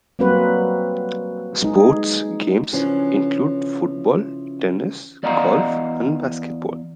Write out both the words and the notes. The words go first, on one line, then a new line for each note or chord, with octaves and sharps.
Sports games include Football, Tennis, Golf and Basketball.
F#3 G3 A#3 C4 F#4 B4
G#3 D#4 G#4
C#3 E3 F3 C#4 D4
E2 D5 D#5 F5 F#5 A#5